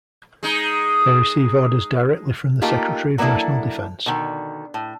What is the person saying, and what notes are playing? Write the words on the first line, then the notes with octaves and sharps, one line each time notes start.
They receive orders directly from the Secretary of National Defense.
G#3 D#4
A3 A#3 D#4 F4 G4
F#3 A#3 B3 D4 E4 A4
B2 D3 D#3
A2